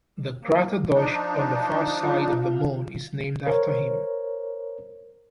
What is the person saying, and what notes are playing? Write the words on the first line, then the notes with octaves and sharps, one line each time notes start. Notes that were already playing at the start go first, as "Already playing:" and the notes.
The crater Deutsch on the far side of the Moon is named after him.
A#3
F3 D4 D#4
F4
A#4 C5 C#5